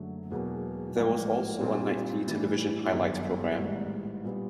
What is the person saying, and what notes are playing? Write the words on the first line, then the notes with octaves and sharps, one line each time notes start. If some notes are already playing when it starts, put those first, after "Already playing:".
There was also a nightly television highlight programme.
Already playing: F#1 F#2 D3 F#3 A3
E1 E2 B2 F#3 A#3
A1 G#2 F3 A#3
A#2 G3 C4
A2 E3 G3
G1 F#2 D#3
A1 G#2 D#3 G3
A#2 G3 B3